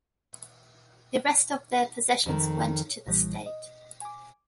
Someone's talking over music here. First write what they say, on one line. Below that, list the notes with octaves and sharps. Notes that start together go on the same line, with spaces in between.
The rest of their possessions went to the state.
F2 D#3
B1 A#2 E3 G3
D#5
G#5 D6